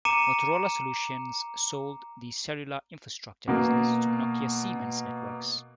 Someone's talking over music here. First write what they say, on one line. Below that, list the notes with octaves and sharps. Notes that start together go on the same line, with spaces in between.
Motorola Solutions sold the cellular infrastructure business to Nokia Siemens Networks.
A#5 D6 C#7 D#7 E7
B2 A#3